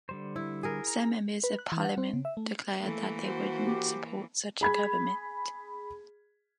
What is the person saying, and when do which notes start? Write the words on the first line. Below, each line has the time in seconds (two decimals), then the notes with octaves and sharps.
Some members of parliament declared that they wouldn't support such a government.
0.09 D3 G3 C5
0.36 E4
0.63 G#4 A#4
0.87 A#5
1.44 B4
1.59 F#6
1.72 E3
1.85 F#5
1.98 C4
2.13 C#3
2.25 E5
2.37 A3
2.81 E3 A3 A#3
3.25 F#4 C5
3.63 G4
4.61 G#4 B5 G#6